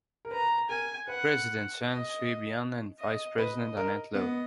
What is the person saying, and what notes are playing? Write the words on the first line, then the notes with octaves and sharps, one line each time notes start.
President Chen Shui-bian and Vice President Annette Lu.
A#4
B4 A#5
A#4 G#5
B4 F#5
D#5
D#5
B4 D#5
A#4
B3 D#5